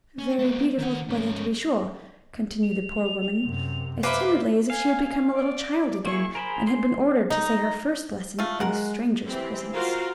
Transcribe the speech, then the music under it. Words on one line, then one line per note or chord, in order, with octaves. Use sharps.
"Very beautiful weather to be sure," continued the poor woman, as timidly as if she had become a little child again, and had been ordered to say her first lesson in a stranger's presence.
C#4
A3 B3
D#3 F#5
G#2 C#4
F7
F#2 C3
A#3 B4 C5 E5 D6
F5 G#5
D5
A#3 E4 G#4 C#6
G#4 A#4 C5 B5
C6
D#4
A3 F4
G#3 A#4 F#5
E3 C4 G4
F4 F#4 A#4 C5 F5 C6